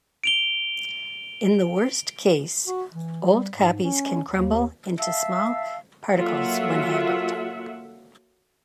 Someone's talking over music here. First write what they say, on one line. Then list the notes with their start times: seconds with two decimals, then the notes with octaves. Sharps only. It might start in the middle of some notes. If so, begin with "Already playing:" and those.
In the worst case, old copies can crumble into small particles when handled.
0.24 D7 F7 G7
2.67 F#4
2.94 E3
3.29 G3
3.55 G#2
3.84 C#4
4.30 D#2
4.98 E5 F5 A5 E6
6.16 F#3 A#3 F4 A4 E5 F#5